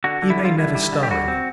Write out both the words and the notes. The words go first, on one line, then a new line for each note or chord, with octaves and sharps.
He may never star in them.
D3 F#4
D3
E4
G3
F4
D3 E4
G3
D3
G4
G3 F#4
C4